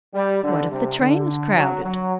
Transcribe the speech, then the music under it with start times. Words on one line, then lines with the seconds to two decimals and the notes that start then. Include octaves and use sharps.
What if the train is crowded?
0.14 G3
0.43 D3
0.71 C3
1.00 D3
1.55 F#3
1.84 F#3